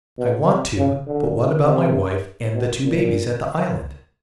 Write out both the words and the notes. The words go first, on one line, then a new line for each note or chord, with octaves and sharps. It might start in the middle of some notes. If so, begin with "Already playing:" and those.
"I want to; but what about my wife and the two babies, at the island?"
B2
C3
C#3
D3
C3
B2
A#2